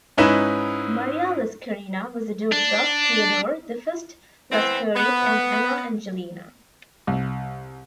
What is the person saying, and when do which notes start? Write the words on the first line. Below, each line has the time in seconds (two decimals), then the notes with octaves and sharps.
Maria Laskarina was a daughter of Theodore the First Lascaris and Anna Angelina.
0.18 G#2 C#4 D#4 E4 B4 E7
2.52 D4
4.52 E3 B3 C4
4.96 B3
7.07 C2